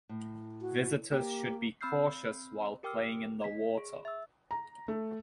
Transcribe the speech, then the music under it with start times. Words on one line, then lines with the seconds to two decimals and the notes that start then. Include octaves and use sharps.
Visitors should be cautious while playing in the water.
0.09 A2
0.61 F#4
1.12 A#3 G4
1.81 C4 B5 E6 F6 G6 C7
2.83 G4 A#4 G5 D6 E6 F6
3.42 D#5 B6
3.78 G#4
4.05 E5 E6
4.51 A#5
4.88 A3